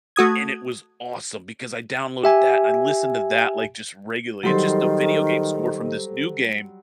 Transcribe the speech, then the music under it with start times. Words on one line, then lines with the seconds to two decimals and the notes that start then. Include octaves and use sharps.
and it was awesome because I downloaded that and I listened to that, like, just regularly. It's just a video game score from this new game,
0.16 A3 F#4 D#6 G#6
2.24 G4 E5 G#5
4.43 D#3 F#3 G3 G4 A4 C5 C6